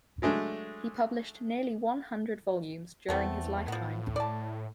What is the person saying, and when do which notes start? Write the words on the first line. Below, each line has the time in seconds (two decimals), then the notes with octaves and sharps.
He published nearly one hundred volumes during his lifetime.
0.22 F#3 G#3 A3 D4
3.09 E2 A3 B3 C4
3.68 A2 F3 B3
4.16 D5 A5